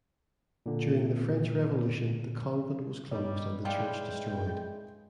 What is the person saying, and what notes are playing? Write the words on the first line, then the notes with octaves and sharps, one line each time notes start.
During the French Revolution the convent was closed and the church destroyed.
A#2 D3
G3 D#4 C#5
E3 G3 G#3 F4 G5